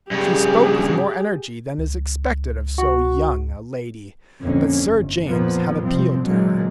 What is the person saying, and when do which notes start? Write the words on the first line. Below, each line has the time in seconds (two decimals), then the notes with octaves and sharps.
She spoke with more energy than is expected of so young a lady, but Sir James had appealed to her.
0.11 G2 C#3 G4 G#4
1.78 C#2
2.78 F#4
4.43 A#1 F2 D3 A#3 C#4
4.80 G1
5.26 F2 A#2 D#3 F3 A#3 B3
5.83 C3 F3 G3 C4
6.25 A#2 D3 E3 F#3 G#3 A#3